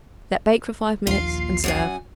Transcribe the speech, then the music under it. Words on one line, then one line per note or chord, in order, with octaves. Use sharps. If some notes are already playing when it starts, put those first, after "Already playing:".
Let bake for five minutes and serve.
A#1 D#2 F4 C7
F#2 F#5 G#5